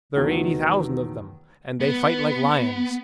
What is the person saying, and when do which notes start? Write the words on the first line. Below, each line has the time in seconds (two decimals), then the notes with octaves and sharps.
There are eighty thousand of them and they fight like lions.
0.15 E2 C3 D#3 F#3 A3 B3
1.80 B3